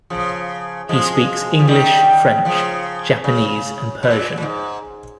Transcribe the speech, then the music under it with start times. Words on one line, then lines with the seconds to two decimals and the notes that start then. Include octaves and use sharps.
He speaks English, French, Japanese, and Persian.
0.10 C#3 F3
0.89 F3 G#3
1.59 F3
1.67 D#3 G3
2.45 C#3 F3
3.24 C#3
4.03 A#2
4.38 A#2
4.42 G#2